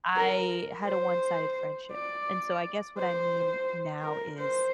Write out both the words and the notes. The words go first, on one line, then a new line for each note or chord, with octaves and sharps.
I had a one-sided friendship, and so I guess what I mean now is
A#4
C5
D5
C5
A#4
C5